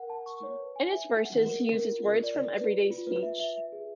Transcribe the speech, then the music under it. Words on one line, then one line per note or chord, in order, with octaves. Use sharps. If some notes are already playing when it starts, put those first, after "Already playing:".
In his verses he uses words from everyday speech.
Already playing: A#4 F#5
A5
C#6
C#5
B4
G#5
E5
E5
F#5
A#4
A#4
A#4
F4
A#4
D5
D5
B4
F4
F4
B4
E5
E5
E5
G#4